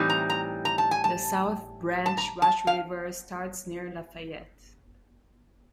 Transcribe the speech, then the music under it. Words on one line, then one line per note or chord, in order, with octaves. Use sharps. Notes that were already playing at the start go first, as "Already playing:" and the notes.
The South Branch Rush River starts near Lafayette.
Already playing: A2 E3 G3 C4 D#4
A#5
A#5
A#5
A5
G#5
A5
A5
A#5
A5
F5